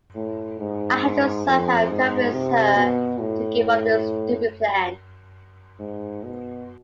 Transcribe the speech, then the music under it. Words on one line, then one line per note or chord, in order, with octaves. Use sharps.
I have to somehow convince her to give up this stupid plan.
A2
G#2
F2
G#2
C3
B2
A2
G#2
B2